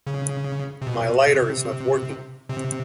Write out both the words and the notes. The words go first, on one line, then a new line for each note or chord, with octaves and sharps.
My lighter is not working.
C#3
C3
B2
C3
C3